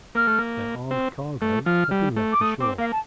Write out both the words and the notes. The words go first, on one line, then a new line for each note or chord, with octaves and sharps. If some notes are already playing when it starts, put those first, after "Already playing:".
Their armed cargo had been left ashore.
A#3 F6
A3
A#3
C4
A3
F3 F6
G3
A3
D6
A3 D#6
C4 D6
A#3 F5
A5